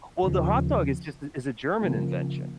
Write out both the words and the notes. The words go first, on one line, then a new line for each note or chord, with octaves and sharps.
Well, the hot dog is just a is a German invention.
D#2 C#3 F3
C#3 F3 A#3 F4